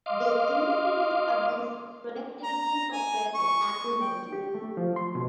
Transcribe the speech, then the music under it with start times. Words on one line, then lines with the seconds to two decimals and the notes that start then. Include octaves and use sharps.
They initially published productivity software for the Apple Newton.
0.06 D#5 F5 C6 D6
2.43 A#5
2.92 G#5
3.35 C#6
4.02 G5
4.33 G4
4.55 A3
4.77 F3
4.96 C6
5.15 B2